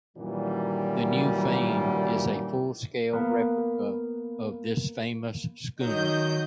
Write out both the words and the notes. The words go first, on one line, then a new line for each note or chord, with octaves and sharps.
The new "Fame" is a full-scale replica of this famous schooner.
F#2 A#2 D#3 E3 F#3 G3
A#3 B3
D#3 F#3 D#5 G6